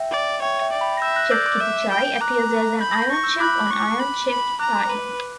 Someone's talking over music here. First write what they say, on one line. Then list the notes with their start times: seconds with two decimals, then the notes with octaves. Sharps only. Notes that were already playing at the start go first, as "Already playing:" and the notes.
Chef Kittichai appears as an Iron Chef on Iron Chef Thailand.
Already playing: E5 G5
0.11 D5
0.42 C#5 E5 G5
0.62 E5 G5
0.72 D5
0.81 G5 B5
0.97 A#6
1.02 E5 E6 G6
1.16 F#6 A#6
1.31 D5 E6 G6
1.46 D6 F#6
1.61 E5
1.92 G5
2.21 A#5 D6 F#6
2.80 B5 G6
2.91 A#6
3.02 G6
3.11 C#6 A#6
3.24 E6 G6
3.40 B5 D6 F#6
3.71 C#6
4.00 B5
4.30 B5
4.59 A#5 D6 F#6
4.90 B4